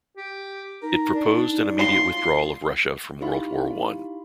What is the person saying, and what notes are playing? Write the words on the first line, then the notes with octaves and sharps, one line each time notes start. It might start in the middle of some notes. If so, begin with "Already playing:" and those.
It proposed an immediate withdrawal of Russia from World War One.
G4
D#4 A#4
D4
F4 C6
D#4 E4 G4 F5 B5 C6